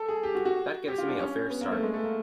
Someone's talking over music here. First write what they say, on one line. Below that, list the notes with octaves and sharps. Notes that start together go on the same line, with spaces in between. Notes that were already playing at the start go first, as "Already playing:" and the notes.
That gives me a fair start.
Already playing: A4
G#4
G4
F#4
F#4
G4
F4
D4
C#4
B3
A#3
A3
G#3
A3
A#3